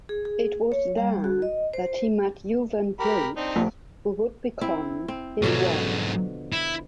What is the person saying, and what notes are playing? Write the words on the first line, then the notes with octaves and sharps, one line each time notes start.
It was there that he met Youvene Brooks, who would become his wife.
G#4
G#4
C#5
G3
F#4
D#5
C5
G4 A#4 B5
C4 D4 D#4
F1 A#1
C4 E4
C4
G#2 B2 D3 F3 F#3
E4